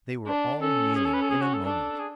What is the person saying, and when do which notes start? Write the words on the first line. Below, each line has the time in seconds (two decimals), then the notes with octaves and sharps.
They were all kneeling, in a moment.
0.27 D4
0.62 C#4 A4
0.96 G#4
1.05 A4
1.14 B4
1.22 A4
1.30 G#4
1.42 F#4
1.54 A4
1.65 D4 A4
1.99 G#4